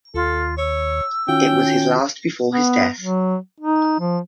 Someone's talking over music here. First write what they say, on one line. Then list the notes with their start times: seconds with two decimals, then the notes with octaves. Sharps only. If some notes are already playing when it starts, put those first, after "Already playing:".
It was his last before his death.
0.14 D#2 F4 A4
0.58 C#5 E6
1.28 D#3 C#4 F4 F#4 G5
2.51 B3
3.00 F#3
3.61 D#4
4.00 F3